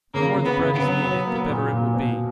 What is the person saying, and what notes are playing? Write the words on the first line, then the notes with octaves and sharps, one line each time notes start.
The more the bread is kneaded, the better it will be.
C#3 A#3
C#3
B3
C#3
B3
F#3
F#3
A#3
A#2
A#2
B2